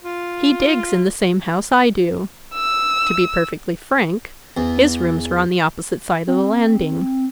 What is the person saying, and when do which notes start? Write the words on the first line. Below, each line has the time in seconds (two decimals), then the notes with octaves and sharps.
He digs in the same house I do. To be perfectly frank, his rooms are on the opposite side of the landing.
0.03 F4
2.54 E6
4.57 E2
6.27 C4